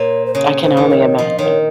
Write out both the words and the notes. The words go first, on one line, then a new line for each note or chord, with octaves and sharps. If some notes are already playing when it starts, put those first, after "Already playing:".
I can only imagine.
Already playing: A#2 C#5
C5
C#3 C#5
C5
D#3
C#5
F3 D#5
D#3 C#5